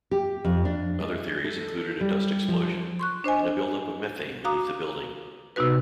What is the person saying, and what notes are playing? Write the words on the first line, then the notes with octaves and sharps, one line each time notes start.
Other theories included a dust explosion and a build-up of methane beneath the building.
G4
F2
D4
G#3
A4
G3
F3
C6 C#6 F#6
D4 C5 D#5 G#5
F#4 F5 A#5 D6 D#6
C3 B3 D#4 F#4 B4